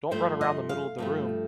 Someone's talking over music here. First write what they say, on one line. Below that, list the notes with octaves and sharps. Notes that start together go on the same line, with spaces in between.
Don’t run around the middle of the room!
G2 F3 A3 C5
D#5
F5
G2 F3 A3